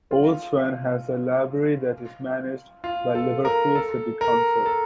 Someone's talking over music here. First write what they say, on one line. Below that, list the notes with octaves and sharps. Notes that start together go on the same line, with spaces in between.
Old Swan has a library that is managed by Liverpool City Council.
F4
F4
A4
A#4
A4
A#4
A4